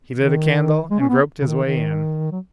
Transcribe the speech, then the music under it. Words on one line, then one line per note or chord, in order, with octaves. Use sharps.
He lit a candle and groped his way in.
D#3
G#3
C#4
B3
C#3
D#3
D#3
F#3